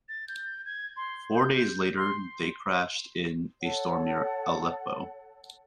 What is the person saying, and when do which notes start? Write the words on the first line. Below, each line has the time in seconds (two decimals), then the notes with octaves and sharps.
Four days later they crashed in a storm near Aleppo.
0.09 A6
0.28 G6
0.65 G#6
0.97 C6
1.35 G6
1.57 G6
1.97 C6
3.62 A4 C#5 F#5